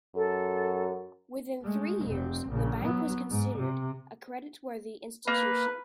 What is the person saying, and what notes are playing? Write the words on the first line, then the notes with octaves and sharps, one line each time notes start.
Within three years, the Bank was considered a creditworthy institution.
F#2 A4
G#3 A3
F1 C4
A#1 C#3
F#3 B3
G#2
C3
A#3 B4